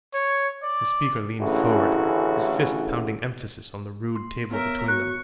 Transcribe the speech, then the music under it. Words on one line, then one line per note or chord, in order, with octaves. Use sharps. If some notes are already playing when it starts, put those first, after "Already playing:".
The speaker leaned forward, his fist pounding emphasis on the rude table between them.
C#5
D5
A1 D2 C#3 E4 F#4
C6
B3 A#4 C#5 E5
F#4 C#6 F#6